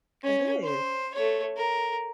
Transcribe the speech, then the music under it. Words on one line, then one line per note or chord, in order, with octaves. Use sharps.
It is.
C#4
C5
A3 C#5
A#4